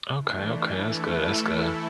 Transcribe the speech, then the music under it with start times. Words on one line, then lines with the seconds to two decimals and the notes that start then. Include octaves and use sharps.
Okay, okay, that's good, that's good,
0.18 E3 A3 D4
0.65 E3 A3 E4 A4